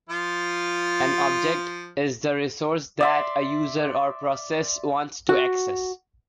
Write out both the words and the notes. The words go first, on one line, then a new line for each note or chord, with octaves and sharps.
An object is the resource that a user or process wants to access.
F3 F4
D5 E5 C6
F#4